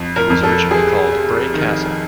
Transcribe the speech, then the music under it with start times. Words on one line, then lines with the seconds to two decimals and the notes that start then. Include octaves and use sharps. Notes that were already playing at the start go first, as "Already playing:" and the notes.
It was originally called Bray Castle.
Already playing: F2
0.16 A#4
0.30 F2
0.43 A4
0.71 C3 G#4
1.12 C3
1.54 D#3